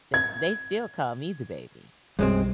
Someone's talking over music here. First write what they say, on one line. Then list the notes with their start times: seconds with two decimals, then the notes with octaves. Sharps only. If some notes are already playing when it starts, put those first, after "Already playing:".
they they still call me the baby.
0.14 G#6
2.19 B1 F#2 G3 G#3 C4